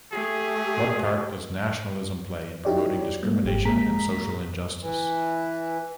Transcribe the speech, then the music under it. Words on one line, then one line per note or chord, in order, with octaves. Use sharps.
What part does nationalism play in promoting discrimination and social injustice?
A3 G4 G#4
D#4 E4 F#4 G4 C#5 D5
G3 A#3
G1 G#2 G4
A#2 G#3 A#3 G#4 A#5 B6
E3